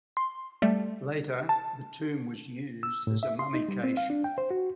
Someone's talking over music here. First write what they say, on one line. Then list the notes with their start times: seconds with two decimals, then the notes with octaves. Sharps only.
Later the tomb was used as a mummy cache.
0.17 C6
0.62 G3 A3
1.49 A5
2.83 E6
3.07 A2
3.23 E5
3.39 C6
3.54 D#4
3.68 G3
3.84 C4
3.97 F5
4.10 D4
4.24 G5
4.38 C5
4.51 F#4